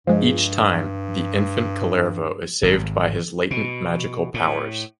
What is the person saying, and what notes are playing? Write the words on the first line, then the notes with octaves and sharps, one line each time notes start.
Each time, the infant Kullervo is saved by his latent magical powers.
G2 F3 G#3
G#1
B2
A2